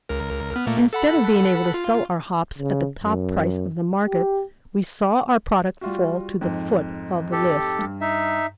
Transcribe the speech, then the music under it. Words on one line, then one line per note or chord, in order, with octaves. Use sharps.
Instead of being able to sell our hops at the top price of the market, we saw our product fall to the foot of the list.
C#2 A#4
B3 F6
A#2 A3 A#3
A4 F#5 B5
F4
C#3
F#2
G4
G3 F4 F#4
F2 G#2
G4 A4
G2
D#4 E5